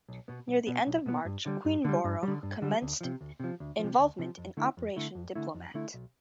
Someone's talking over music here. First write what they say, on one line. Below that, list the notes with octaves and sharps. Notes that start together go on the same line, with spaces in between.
Near the end of March, "Queenborough" commenced involvement in Operation Diplomat.
B1
B2 B3
B1
B2 B3
B1
B2 B3
G2
D3 G3
G2
D3 G3
G2
D3 G3
G2
D3 G3
D2
C3 F3
D2
C3 F3
D2
C3 F3
D2
C3 F3
F2
D3 A3 E4
F2
D3 A3 E4
F2
D3 A3 E4
F2
D3 A3 E4
B1